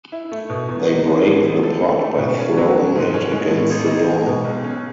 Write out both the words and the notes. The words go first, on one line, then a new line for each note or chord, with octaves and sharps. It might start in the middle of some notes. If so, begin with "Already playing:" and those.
They break the pot by throwing it against the door.
E4
A3
B2
E2
D#4
G#3
A2
A1
A4
D#4
A3
B2
C#4
F#3
D#3
G#2
C#4
G#3
A2
A1
D#4
G#3
B2
B1
C#4